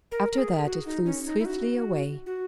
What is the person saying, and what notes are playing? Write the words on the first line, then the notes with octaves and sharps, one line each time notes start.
After that it flew swiftly away.
A#4
A#4
G#4
F#4
D#4
C#4
D#4
E4
F#4
F#4